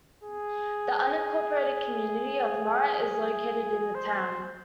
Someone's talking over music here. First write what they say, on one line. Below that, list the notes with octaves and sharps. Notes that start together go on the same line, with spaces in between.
The unincorporated community of Murat is located in the town.
G#4
C5